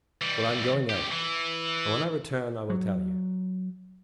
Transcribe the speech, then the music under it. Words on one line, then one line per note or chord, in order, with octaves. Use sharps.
"Well, I am going out, and when I return I will tell you."
E3 G3
C#2 G4
E3
F#3